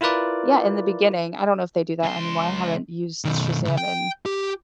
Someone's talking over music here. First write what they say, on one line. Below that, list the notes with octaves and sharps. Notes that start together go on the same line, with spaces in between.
Yeah, in the beginning, I don't know if they do that anymore, I haven't used Shazam in
E4 F4 A#4 B4 D5
C#2 C6
B1 D#3
G#2 C#3
G5
G4